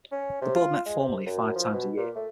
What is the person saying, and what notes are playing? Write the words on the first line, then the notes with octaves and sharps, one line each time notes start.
The Board met formally five times a year.
C#4
C3
F4
G#3
C3
F#2
F3
B2
A#2
A3